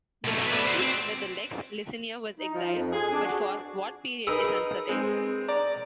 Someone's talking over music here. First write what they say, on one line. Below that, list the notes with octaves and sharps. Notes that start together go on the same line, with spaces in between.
The penalty under the Lex Licinia was exile, but for what period is uncertain.
B2 A3
B4 D5
F#4 C5
C4
D#4
F3
F2
G#4
D4
F#4
D#4 G#4 A#4 B4 E6
G#3 C4
D5 A#5